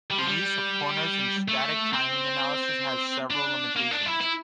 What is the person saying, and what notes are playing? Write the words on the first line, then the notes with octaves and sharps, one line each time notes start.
The use of corners in static timing analysis has several limitations.
G3
F3
G3
A3
C4
D4
A#3
D4
E4
E4